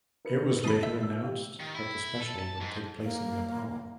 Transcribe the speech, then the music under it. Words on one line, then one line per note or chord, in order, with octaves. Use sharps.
It was later announced that the special would take place in Nepal.
A#4 B4 C#7
A5 B5 D#6 A6 C7
E5
E6
G4 F5
D#3
E4
A4
A5
G#2
A#3